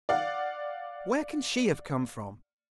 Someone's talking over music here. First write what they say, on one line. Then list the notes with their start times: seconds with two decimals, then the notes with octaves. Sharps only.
Where can she have come from?'
0.09 D5 F5 F#5